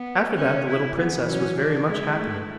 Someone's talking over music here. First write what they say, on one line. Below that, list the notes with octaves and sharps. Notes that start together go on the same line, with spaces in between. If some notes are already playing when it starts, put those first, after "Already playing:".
After that the little princess was very much happier.
Already playing: B3
C#4
E4
E3 B3
F#3 C#4
D4
G#3 E4
A3